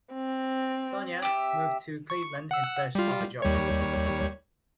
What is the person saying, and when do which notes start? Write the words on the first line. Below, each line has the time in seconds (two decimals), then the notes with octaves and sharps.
Sonia moved to Cleveland in search of a job.
0.14 C4
1.22 G4 E5
2.10 C#6
2.51 F#5 E6
2.95 G3 F4
3.42 D#2 G3 C#5